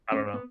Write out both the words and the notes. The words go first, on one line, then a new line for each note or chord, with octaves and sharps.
I don't know.
C#4
B3